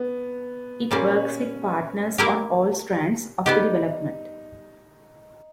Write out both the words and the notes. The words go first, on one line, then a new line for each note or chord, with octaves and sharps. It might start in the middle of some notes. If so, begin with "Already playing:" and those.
It works with partners on all strands of the development.
Already playing: B3
A#2 G3 A#3 C#4
A#3 E4 G4 A#4
G3 B3 D#4 G4